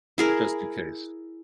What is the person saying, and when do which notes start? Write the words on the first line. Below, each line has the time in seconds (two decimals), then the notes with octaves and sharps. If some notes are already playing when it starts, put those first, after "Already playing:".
just in case.
0.18 E4 G#4 A#4